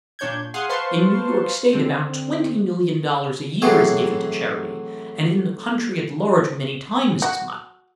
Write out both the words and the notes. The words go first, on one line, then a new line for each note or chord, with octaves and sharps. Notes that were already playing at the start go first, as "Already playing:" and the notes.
In New York state about twenty million dollars a year is given to charity, and in the country at large many times as much.
A#2 D4 C#5 G6 G#6
G#4 F5 F#5 G#5 C6 D#6
B4 C5 F5 A5 C6 C#6
D3 C4
A2 C3 E3 F#3 G#4 F5
F#4